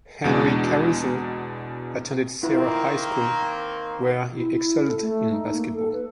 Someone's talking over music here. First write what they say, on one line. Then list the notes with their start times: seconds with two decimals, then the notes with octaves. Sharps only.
Henry Caruso attended Serra High School where he excelled in basketball.
0.24 E2 B2 G#3 D4
2.43 D#3 A#3 C4 E4 F4 B4
4.35 E4
4.54 E4
4.86 A4
5.01 A3
5.32 D#4
5.53 A#3
5.74 A4
5.93 B4